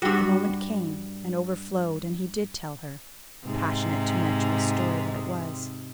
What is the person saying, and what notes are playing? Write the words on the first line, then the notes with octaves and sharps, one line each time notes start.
But the moment came, and overflowed, and he did tell her--passionate, tumultuous story that it was.
G2 G3 F#4
G#2 C3